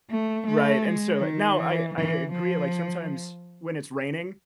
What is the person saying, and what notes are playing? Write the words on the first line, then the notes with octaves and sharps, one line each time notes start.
Right, and so now, I I agree, like, sometimes when it's raining,
A3
A3
G#3
D#3
E3
E3
F3